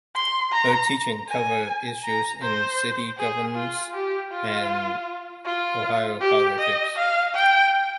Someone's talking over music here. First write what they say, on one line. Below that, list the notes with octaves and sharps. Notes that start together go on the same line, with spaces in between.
Her teaching covered issues in city governance and Ohio politics.
C6
A#5
G#5
A#5
C5
G#4
F4
G4
F4
F4
G4
D#5
F5
G5